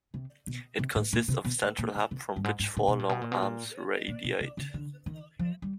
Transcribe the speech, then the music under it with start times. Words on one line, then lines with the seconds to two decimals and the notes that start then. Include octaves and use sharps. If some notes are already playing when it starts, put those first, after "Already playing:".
It consists of a central hub, from which four long arms radiate.
0.14 C3
0.47 B2
0.79 C3
0.96 A2
1.13 A#2
1.28 C3
1.45 B2
1.62 A2
1.78 A#2
1.95 B2
2.11 C3
2.36 G2
2.44 G#2
2.60 G#2
2.77 A#2
2.88 B2
2.99 A#2
3.09 B2
3.21 A#2
3.32 B2
3.42 A#2
4.08 A#2
4.24 B2
4.40 C3
4.57 C#3
4.74 D3
5.06 D#3
5.39 F3
5.62 G3